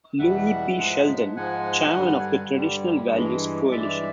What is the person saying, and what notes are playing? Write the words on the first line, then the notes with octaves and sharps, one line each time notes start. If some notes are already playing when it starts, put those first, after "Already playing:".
Louis P. Sheldon, chairman of the Traditional Values Coalition.
E2 B2 G3 E5 F#5
G#2 F3 G#3
G#2 F3 G#3 F#5 G#5
G2 D3 G3
G2 D3 G3
G2 E3 G#3
G2 E3 G#3 D5 E5